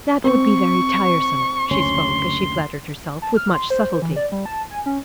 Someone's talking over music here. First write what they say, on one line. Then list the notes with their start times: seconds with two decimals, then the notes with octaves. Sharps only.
"That would be very tiresome." She spoke, as she flattered herself, with much subtlety.
0.24 C4 C#6
1.71 F#1 D2 C#4 C6
3.22 A5
3.37 F6
3.54 C6
3.70 C5
4.02 E3
4.16 D5
4.32 G3
4.46 A5
4.71 G#5
4.86 C#4